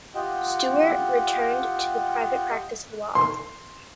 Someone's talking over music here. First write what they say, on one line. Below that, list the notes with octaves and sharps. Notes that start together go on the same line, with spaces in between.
Stewart returned to the private practice of law.
F4 G4 D#5 F#5 G5
C6